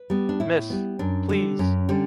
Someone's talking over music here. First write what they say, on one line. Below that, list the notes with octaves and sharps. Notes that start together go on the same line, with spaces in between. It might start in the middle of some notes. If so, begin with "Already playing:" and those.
Mrs!... Please!...
Already playing: B4
G3 B3
D4
A2 E4
G3 B3
F#2 D4
D3 G3
F#2 C#4
D3 G3